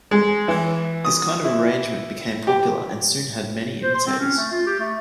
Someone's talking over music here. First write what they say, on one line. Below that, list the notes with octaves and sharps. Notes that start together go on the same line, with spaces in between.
This kind of arrangement became popular and soon had many imitators.
G#3
E3
D#6
E4
G4
C5
C6
C4
C#4
A3
F4
G4
A3